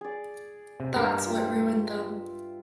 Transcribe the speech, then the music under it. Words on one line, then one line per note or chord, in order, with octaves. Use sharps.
That's what ruined them.
G#4 D5
C3
G2 A#4 A#5
F4 E5 G5